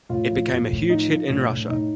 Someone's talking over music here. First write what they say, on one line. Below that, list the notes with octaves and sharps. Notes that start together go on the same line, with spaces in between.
It became a huge hit in Russia.
A2 F4
F3
A2
A2
F3 D#4
F3
A2 D4
A2
A2 D#4